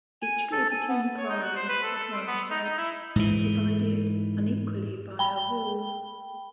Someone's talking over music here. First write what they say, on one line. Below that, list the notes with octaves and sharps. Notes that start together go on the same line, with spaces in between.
Each Gilbertine priory had one church, divided unequally by a wall.
G#5
A4
G#5
B3
C#5
D#4
F#4
C5
B4
A4
A4
C4
B3
D#4
D#4
E4
G#2 E3
G5 B5 G7